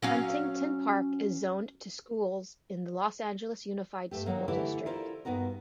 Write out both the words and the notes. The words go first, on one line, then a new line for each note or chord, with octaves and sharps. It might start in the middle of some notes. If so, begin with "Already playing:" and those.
Huntington Park is zoned to schools in the Los Angeles Unified School District.
F#3 C#4 F5
G2 G3 A3 G4
D#3 F3 F#3 A#3
D3 E3 A3 E4 G4 A4
E4 F4 A4 A#4 C5 D5
G2 B3 D#4 F#4 A#4